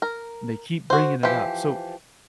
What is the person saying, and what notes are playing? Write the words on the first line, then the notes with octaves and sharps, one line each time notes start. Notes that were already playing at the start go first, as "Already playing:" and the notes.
and they keep bringing it up. So,
A#4
F#4 C5
E3 F3 G4